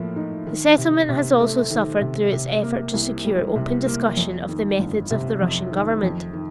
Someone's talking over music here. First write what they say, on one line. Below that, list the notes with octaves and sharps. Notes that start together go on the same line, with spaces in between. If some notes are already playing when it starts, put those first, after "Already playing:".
The Settlement has also suffered through its effort to secure open discussion of the methods of the Russian government.
Already playing: A2 F3 A#3
D#4
D#3
C3
C3
A3
D#3
C3
C3
A#3
C2
G3
C3
A#3
F2
D#3
G1
C3
F2
D#3
F2
D#3